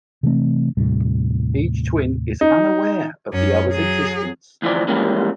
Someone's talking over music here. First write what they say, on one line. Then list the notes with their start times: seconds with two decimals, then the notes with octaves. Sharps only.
Each twin is unaware of the other's existence.
0.23 C3 E3 A3 C4
0.77 D#2 A2 C3 G3
2.41 D#4
3.33 F#2 C#4
3.72 F#3 G#4
4.62 D2 E3 F3 D5
4.88 E3 F3 G3 G#3 A#3 C#4